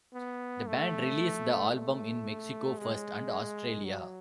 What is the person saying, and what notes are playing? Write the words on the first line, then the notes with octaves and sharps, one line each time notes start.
The band released the album in Mexico first and Australia.
B3
A3
A3
G#3
F#3